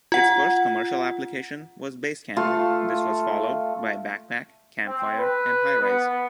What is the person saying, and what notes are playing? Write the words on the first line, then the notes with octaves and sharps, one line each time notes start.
Its first commercial application was "Basecamp"; this was followed by Backpack, Campfire, and Highrise.
F4 F#5
A3 F4 A4 F5
C4
B4
B3